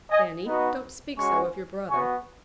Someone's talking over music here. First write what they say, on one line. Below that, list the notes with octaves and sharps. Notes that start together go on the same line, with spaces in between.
'Fanny, don't speak so of your brother.
D#5 G#5
B3 D#4 F#4 B4 D#5
G#3 C#4 F#4 G#5 C#6
B3 F#4 G#5 C#6